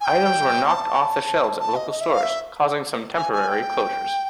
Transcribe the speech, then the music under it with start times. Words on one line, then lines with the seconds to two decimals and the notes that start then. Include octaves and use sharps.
Items were knocked off the shelves at local stores, causing some temporary closures.
0.01 G#5
0.06 G5
0.65 A5
1.59 A5
1.76 D#5
1.91 D#5
2.01 E5
2.12 F5
2.22 E5
3.17 G#5
3.33 G#5
3.48 G5